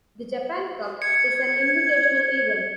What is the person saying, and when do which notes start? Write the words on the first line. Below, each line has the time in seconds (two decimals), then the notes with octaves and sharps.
The Japan Cup is an invitational event.
1.02 G#6 C#7